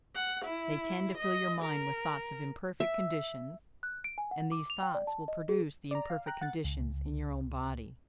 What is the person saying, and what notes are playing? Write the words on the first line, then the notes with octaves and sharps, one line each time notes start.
They tend to fill your mind with thoughts of imperfect conditions, and these thoughts will produce the imperfect conditions in your own body.
F#5
E4
D#5
A#4
E5
F#6
D7
G#5
F#5
D6
F7
G5
D5
A5
D#5
G#4
D5 A#5
F5
G5 A#5 F#6
F#5 A6
C#2